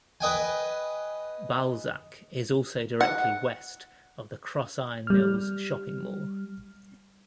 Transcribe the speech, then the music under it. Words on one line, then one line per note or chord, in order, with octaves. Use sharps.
Balzac is also directly west of the Crossiron Mills shopping mall.
B4 D#5 G5 G#5
F#5
G3 F6